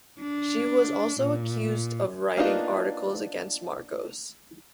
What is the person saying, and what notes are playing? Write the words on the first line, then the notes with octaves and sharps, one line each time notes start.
She was also accused of writing articles against Marcos.
D4
A#2
A#3 B3 D4 D#4 F4